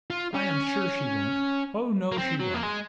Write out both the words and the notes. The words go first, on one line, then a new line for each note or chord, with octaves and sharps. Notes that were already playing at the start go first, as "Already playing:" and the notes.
I am sure she won't. Oh, no, she won't.
F4
C#4
A#3
C4
F#3
A#3
G#3